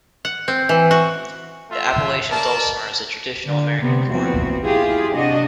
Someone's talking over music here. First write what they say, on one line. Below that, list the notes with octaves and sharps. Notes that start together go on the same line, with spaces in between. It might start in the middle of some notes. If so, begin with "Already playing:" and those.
The Appalachian dulcimer is a traditional American form.
F#5
C4
E3
F#4
A3 F4 E5
A#4 D5 A5
D3
C3 B3 C4
E2 A#2 F3 B3 C4 F#4
E4 F4 G4 G#4
C3 D4 F#4 D#5